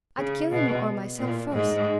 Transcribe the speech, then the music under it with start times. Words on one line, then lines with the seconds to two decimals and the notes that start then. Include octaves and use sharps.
I'd kill him or myself first.
0.18 C#3
0.51 B2
1.19 A#2
1.52 G#2